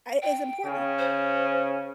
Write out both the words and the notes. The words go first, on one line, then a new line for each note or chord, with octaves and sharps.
I is important.
G5
C#3
C5